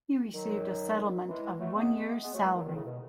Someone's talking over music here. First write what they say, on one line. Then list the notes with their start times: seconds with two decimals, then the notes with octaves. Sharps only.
He received a settlement of one year's salary.
0.34 D#3 F#3
1.28 E3 G#3
1.60 F#3 A3
1.75 G#3 B3
2.22 G#3 B3
2.33 F#3 A3
2.43 E3 G#3
2.54 D#3 F#3
2.65 B2 D#3
2.75 A2 C#3
2.86 B2